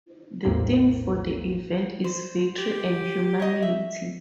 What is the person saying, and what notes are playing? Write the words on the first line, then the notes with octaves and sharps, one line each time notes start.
The theme for the event is "Victory and Humanity".
A#1 E2 A2 A#3 C4
C5
G4
C#5 D#5
E5